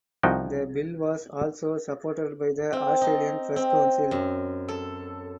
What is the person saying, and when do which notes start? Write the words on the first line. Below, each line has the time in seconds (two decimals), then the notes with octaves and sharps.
The bill was also supported by the Australian Press Council.
0.23 C2 F3 D#4 F#4 G5
2.73 C4
3.01 D#4
3.56 C4
4.11 F#2
4.68 A4